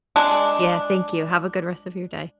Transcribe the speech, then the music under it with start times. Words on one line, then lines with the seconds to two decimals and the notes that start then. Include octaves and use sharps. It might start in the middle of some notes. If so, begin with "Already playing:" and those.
Yeah, thank you, have a good rest of your day.
0.16 G#3 D4